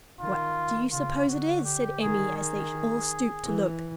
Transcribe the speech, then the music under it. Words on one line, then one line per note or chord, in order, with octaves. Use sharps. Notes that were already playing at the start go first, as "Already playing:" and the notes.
"What do you suppose it is?" said Emmy, as they all stooped to look.
D#3 F4
C#3 F4
D3 F#4
G4
D#3 G#4
G#4
E3